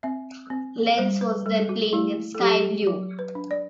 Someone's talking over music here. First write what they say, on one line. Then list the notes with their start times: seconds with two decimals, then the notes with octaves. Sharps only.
Lens was then playing in sky blue.
0.03 C4 E5
0.50 C4
0.98 G3 C5
1.21 B4
1.46 G3 A4
1.69 F#4
1.93 A3 E4
2.35 A4
2.40 F#3 G4
2.87 F#3
3.19 B4
3.35 D4
3.51 D5